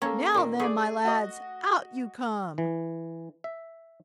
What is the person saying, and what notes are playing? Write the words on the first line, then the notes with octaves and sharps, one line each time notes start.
"Now then, my lads, out you come!"
A#3 C#4 A4
A#2 D#3
A3 G#4 D5
F#4 D#5
E3
E5